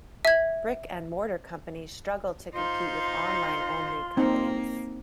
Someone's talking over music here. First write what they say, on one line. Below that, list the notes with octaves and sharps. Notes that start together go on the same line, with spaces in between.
Brick and mortar companies struggle to compete with online only companies.
E5 G#6
D#4 F4 C5 C6
A#3 C4 D#4